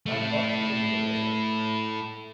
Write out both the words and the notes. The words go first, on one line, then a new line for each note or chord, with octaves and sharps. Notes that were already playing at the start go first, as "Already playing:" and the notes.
I am not pulling your leg.
A3 E4